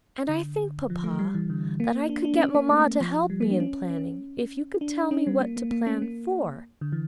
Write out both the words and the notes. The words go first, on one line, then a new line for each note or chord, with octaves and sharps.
And I think, papa, that I could get mamma to help me in planning, if you could tell me what to plan for.
D3
F3
A3
G3
E3
D3
A#3
D4
D4
A#3
C#4
A#3
A3
F3
G3
A#3
D4
C#4
C#4
D4
C#4
G3
A#3
A#3
A#3
C#4
A#3
D3
E3